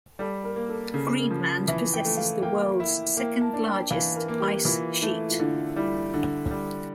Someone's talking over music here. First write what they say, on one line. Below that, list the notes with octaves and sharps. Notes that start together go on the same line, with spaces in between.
Greenland possesses the world's second largest ice sheet.
G3 A4
A#4
A#3
A4
C#3 A4
A#4
F3
E3 E5
G5
A3
F5
A#3 G5
E4
A#3 G5
A5
D4
G5
E3 F5
A#4
A#3
G4
E3 F4
A3 E4
F4
D3 E4
G3 E4
D3 E4
G3